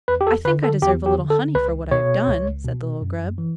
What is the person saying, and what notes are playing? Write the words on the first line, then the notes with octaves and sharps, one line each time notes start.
"I think I deserve a little honey for what I have done," said the little Grub.
E2 B4
G4
A4
D3 B4
A4
E2 G4
G4
D3
A4
C#2 B4
B2 C#5
C#2
B2
F#2
E3